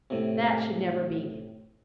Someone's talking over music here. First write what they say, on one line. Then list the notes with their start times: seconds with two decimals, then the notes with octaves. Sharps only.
That should never be.
0.10 A2 C3